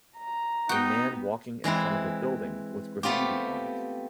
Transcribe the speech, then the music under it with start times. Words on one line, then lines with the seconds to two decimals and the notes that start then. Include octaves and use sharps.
A man walking in front of a building with graffiti on it.
0.17 A#5
0.69 B3 D#4 F#4 G5
1.64 E3 G#3 C4 E4
3.03 A3 B3 C4 F4 G4